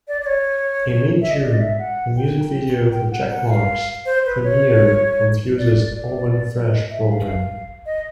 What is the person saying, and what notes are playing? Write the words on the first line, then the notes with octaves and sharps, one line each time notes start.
In mid-June, a music video for "Checkmarks" premiered on Fuse's "Oven Fresh" programme.
D5
D5
C#5
E5
D#5
D5
D#5
E5
F#5
G5
G5
F#5
F#5
F5
C5
B4
C#5
D5
D5
D#5
E5
F5
D#5